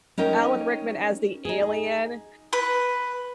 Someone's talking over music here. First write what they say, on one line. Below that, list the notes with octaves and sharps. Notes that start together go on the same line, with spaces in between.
Alan Rickman as the alien,
C#4 D#4 A#4 G5
D#4 G#4
B4